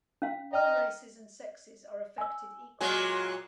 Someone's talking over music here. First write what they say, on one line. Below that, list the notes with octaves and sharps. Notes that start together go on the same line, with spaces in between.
All races and sexes are affected equally.
C#4 F5
D#5 G5 A#5 F6
G#5 E6
A#2 F#3 G#3 G#5